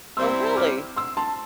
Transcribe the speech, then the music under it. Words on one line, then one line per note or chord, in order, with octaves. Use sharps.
Oh, really?
C3 G3 C4 E4 C6 E6
D6 F6
C6 E6
A5 C6